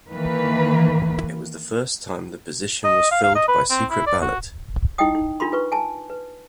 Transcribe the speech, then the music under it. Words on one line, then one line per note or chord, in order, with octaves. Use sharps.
It was the first time the position was filled by secret ballot.
D#3 E3 A#3 B4
D#5
F5
F5
D#5
B4
C4
E4
D5
F#4
D#4 E4 D#5 F#5 G5 D#6
D#4
D4 F4 A#4 B5 C6
F4 B4 C#6
G#5 A5
B4